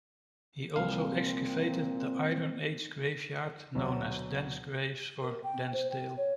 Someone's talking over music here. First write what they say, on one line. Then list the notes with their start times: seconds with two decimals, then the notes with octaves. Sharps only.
He also excavated the Iron Age graveyard known as Danes Graves, or "Danesdale".
0.76 C2 A#2 A#3 C4 F5
3.75 D2 B2 F#3
5.22 A#4
5.43 G5
5.73 C5
5.91 G5
6.17 C#5